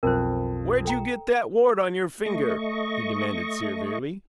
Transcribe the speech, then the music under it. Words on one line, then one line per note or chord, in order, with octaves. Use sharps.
"Where'd you get that wart on your finger?" he demanded severely.
B1 F2 B2 F4 A#4 C5
A4 G5 A#5
A3 D#5 C#6